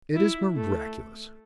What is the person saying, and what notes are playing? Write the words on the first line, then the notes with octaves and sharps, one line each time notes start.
"It is miraculous."
E4
A3